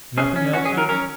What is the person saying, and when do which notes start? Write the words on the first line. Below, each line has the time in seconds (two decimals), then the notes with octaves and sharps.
"Nothing else, Jason?"
0.18 C#4 G#4
0.36 C#4
0.53 C#4 F#4
0.65 G#4
0.71 F#3
0.78 A#4
0.89 C#4 A#4